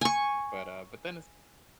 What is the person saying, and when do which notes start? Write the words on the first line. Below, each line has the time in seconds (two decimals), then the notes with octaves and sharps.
M but uh, but then it's
0.01 G#5 C#6